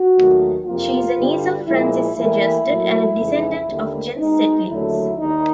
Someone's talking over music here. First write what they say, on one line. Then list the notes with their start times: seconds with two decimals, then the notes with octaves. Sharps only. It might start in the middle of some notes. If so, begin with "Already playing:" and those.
She is a niece of Francis Sejersted and a descendant of Jens Zetlitz.
Already playing: F#4
0.16 D#2 D#3 F#3 A3
0.66 F2 C3 F3 A#3 F4
1.17 G2 D3 G3
1.66 A#2 F3 G#3 E4
2.16 A2 E3 G3 A#3 E4
2.67 A2 F#3 A#3
3.17 F2 C#3 E3 G#3
3.68 D#2 D3 G3 A#3
4.17 B2 G#3 D#4
4.68 D#2 D3 F#3 A3 E4
5.18 D#2 D#3 G3 D#4